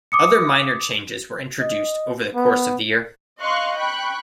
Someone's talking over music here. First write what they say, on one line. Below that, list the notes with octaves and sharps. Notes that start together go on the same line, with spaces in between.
Other minor changes were introduced over the course of the year.
D6 D#6 C#7
D#5
B3
D#5 F5 C6 C#6 F#6
G5 B5 C#6 F#6